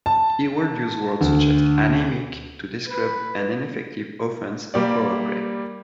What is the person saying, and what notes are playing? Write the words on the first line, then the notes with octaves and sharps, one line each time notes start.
He would use words such as "anemic" to describe an ineffective offence or powerplay.
A5
D2
B4
G3 A#3 G4 D5